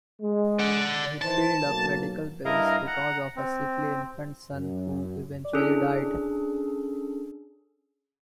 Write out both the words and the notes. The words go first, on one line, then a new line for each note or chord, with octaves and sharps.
He piled up medical bills because of a sickly infant son who eventually died.
G#3
D5 F#5
D#3 E3 C5 A5
B1 F#3 A#3
G2 E4 A#4 D#5 F5 A#5
F#5 A#5
C4
F#2
C#4 D4 G#4 A4